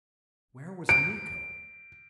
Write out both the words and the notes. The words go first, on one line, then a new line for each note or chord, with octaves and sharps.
Where was Miko?
D7